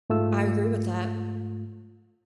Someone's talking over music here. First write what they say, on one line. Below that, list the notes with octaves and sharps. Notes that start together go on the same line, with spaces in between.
I agree with that.
G#2 A3 F4 E6